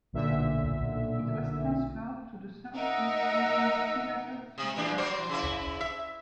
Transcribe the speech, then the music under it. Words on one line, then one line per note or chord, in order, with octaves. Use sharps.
It was transferred to the South-East Asian Theatre soon after.
B1 A#2 D3 E5
D#4 A#4 D#5 E5 F#5 E6
C3
E2 A#2 D4
F#3 C5
C#3 E4
E5